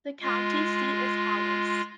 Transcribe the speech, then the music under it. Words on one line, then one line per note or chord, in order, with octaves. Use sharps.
The county seat is Hollis.
G#3 F4